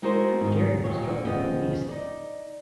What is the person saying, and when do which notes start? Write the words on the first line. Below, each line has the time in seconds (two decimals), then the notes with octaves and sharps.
How dare you obstruct the Police?
0.02 G#3 D#4 E4 F#4 A#4 C5
0.40 G#2 D#3
0.84 D#2 A#2 C#5
1.09 D3
1.25 D#2 C#3 F3 B3 D#5
1.89 D#4 D5